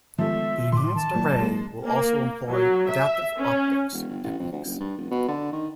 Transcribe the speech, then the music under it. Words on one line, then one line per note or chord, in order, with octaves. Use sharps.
The enhanced array will also employ adaptive optics techniques.
D#3 F3 G#3 A3 B3 E5
A2 D#3 C6 D6
D#3 A5
A#2 F#3 A3
G#3 A#3
A#3
F#3
E5
C#4
E1
G1
A1
F2
D2
F#1
G2
F1
B2
D3
D#3